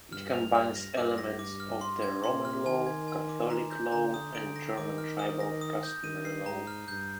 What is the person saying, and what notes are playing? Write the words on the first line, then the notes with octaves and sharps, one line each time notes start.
It combines elements of the Roman law, Catholic law and Germanic tribal customary law.
G2 F6
F7
F6
A#6
G2 D6
A#6
D6
F6
C6
G#6
A#2 C6
F6
D#3 G#5
G#6
G#5
D6
A#5
G6
D3 A#5
D#6
D3 D7
A#6
D#3 D6
F6
D#6
A#6
D#6
G6
D#3 D#7
C7
G#2 A#5
F6
G2 G6